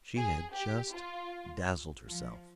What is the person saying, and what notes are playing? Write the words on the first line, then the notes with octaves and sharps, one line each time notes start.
She had just dazzled herself.
G#4
G4
F4
F3